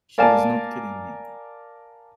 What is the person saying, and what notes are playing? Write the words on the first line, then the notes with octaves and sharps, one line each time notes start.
She was not kidding me.
A#4 D5 F5 G#5 A5